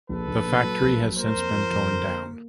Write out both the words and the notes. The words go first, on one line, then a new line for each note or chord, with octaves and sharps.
The factory has since been torn down.
A#1 A4 B4
A#1
A#2
F#3
A#1
F#3
A#3 A#4 C5
F2
F3
F2
D3
A#3
A#3